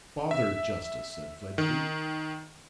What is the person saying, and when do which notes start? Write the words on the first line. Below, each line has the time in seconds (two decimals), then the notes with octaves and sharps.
'Bother justice!' said Fledgeby.
0.31 E5
1.58 D#3